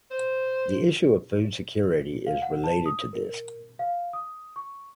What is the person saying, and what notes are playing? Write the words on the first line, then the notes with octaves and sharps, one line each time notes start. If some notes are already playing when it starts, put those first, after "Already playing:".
The issue of food security is related to this.
C5
F5
F#5
A5
D#6
A#4
F5
D#6
C#6